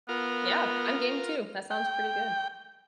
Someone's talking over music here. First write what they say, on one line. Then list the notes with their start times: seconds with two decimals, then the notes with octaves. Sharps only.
Yeah, I'm game too. That sounds pretty good.
0.09 B3 F4 A#4
1.71 G5